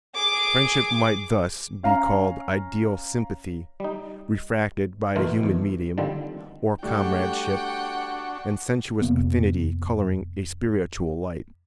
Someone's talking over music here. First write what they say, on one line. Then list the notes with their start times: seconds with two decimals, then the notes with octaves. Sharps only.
Friendship might thus be called ideal sympathy refracted by a human medium, or comradeship and sensuous affinity colouring a spiritual light.
0.15 G#4 D6
1.83 C#4 F5 A#5
3.80 G3 D#4
5.16 E2 B2 A3 A#3 F4
5.43 E2
5.98 D3 D#3 F3 G3 C4
6.83 G3 A3 D4 F#4 F#5 G5
9.02 F1 C3 A#3 B3